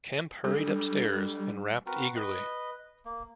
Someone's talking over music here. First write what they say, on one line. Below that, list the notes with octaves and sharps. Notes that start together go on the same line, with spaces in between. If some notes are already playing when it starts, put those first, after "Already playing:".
Kemp hurried upstairs and rapped eagerly.
G3 D4 A4
C4 F#4 A#4 B4
B4 D#5
A#3